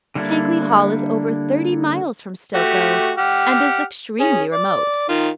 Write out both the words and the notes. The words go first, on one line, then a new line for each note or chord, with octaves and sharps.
Tangley Hall is over thirty miles from Stokoe, and is extremely remote.
D3 G3 A#3 D4 E4
A3 F#4 G4
G4 F#5 F6
C#4 G#4
D5
D#3 F4